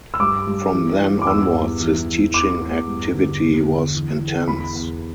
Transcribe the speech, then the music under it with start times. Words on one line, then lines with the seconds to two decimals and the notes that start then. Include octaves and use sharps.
From then onwards his teaching activity was intense.
0.14 E6
0.20 G2 D6
0.47 G2
0.73 E3
1.00 G2
1.22 D6
1.27 E2 E6
1.54 E2
1.80 E3
2.07 E3
2.33 E2 D6
2.61 E2
2.87 G2
3.14 D3
3.41 E2
3.68 D3
3.95 E3
4.21 E3
4.48 E2 B5
4.74 E2